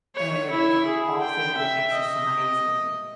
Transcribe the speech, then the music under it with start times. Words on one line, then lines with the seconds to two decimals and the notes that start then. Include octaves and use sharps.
and often exercise in,
0.15 C#5
0.50 E4
0.86 G#4
1.21 G5
1.57 E5
1.93 D#5